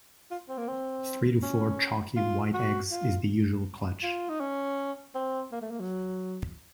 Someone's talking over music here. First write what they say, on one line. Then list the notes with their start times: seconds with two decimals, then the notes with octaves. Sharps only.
Three to four chalky white eggs is the usual clutch.
0.31 F4
0.49 C4
0.58 A#3
0.68 C4
1.42 C#4
2.17 F4
2.54 F#4
2.91 F4
4.03 F4
4.29 D#4
4.40 C#4
5.15 C4
5.52 A#3
5.61 A3
5.70 A#3
5.80 F#3